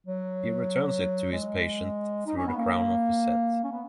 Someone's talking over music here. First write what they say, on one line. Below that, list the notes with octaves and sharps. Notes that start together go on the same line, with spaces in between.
He returns it to his patient through the crown of his head.
F#3
G#3
D#4
C#4
B3
A#3
C#4
B3